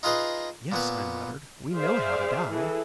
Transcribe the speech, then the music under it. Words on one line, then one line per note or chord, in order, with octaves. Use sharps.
"Yes," I muttered, "we know how to die!"
D#4 F4 G#4 B4 D#5
A#2 B3 B4
G#4 C5 D5 E5 F5
E3 G#4 A4